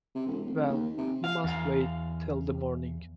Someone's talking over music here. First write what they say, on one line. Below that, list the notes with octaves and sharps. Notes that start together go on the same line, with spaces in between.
Well, you must wait till the morning.
C3
E1
F1
D#2
C3
F5
E2 F5